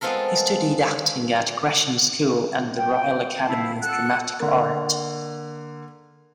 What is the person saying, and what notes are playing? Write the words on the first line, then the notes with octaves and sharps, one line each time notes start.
He studied acting at Gresham's School and the Royal Academy of Dramatic Art.
G#3 B3 C4 F4 A4 A#4
G5
E4 F5 A5
A4 F#5 F#6
D3 A#3